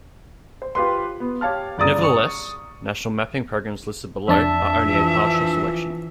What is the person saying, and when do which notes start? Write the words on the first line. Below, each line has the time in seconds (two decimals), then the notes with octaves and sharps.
Nevertheless, national mapping programs listed below are only a partial selection.
0.62 C5
0.75 F4 G4 B4 C6
1.20 B3
1.41 G4 C#5 F5 A5 F6
1.78 G1 C#3 D5 A#5 D#6 A6
2.03 C#6
4.28 F2 D4 E5 A5
4.84 E3 F3